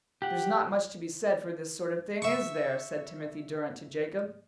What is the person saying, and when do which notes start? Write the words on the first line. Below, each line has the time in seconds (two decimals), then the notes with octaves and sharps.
"There's not much to be said for this sort of thing, is there?" said Timothy Durrant to Jacob.
0.22 G4 F#5
2.22 E5 C#6